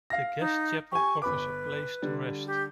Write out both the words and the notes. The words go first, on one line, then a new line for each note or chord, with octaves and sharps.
The guest chapel offers a place to rest.
F5 A#6
D#4
G4 G#5 C#6
G1 B4 B5 D6
D3 G3
G4